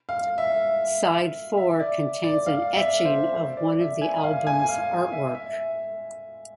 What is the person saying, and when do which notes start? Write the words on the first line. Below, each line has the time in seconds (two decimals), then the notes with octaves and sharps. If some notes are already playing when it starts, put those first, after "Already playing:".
Side four contains an etching of one of the album's artwork.
0.09 F5
0.38 E5
1.57 E5
1.80 D5
2.24 D5
2.46 F5
2.76 E5
3.05 C5
3.35 C5
3.57 D5
3.80 E5
4.02 G#5
4.24 F5
4.47 G#5
4.69 F5
5.12 E5
5.35 E5